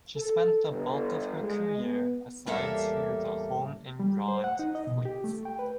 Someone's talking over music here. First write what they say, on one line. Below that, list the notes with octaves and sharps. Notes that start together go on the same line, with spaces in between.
She spent the bulk of her career assigned to the Home and Grand Fleets.
A4
G1
G#3
B3
E2 A2 G3 A#3 A4 E5
G3
C5
F#5
D#4
D#5
B2
G4
A3
G5
B4